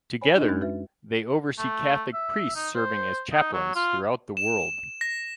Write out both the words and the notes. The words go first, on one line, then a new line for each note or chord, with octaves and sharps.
Together, they oversee Catholic priests serving as chaplains throughout the world.
C5 C#5 G#5 B5
D4 D#4 F#4 D#5
F#2 G#3 C#4
F#4 B4 E5
A3
E5
D#4
C5
D#4
F#3
F4
E7
A#6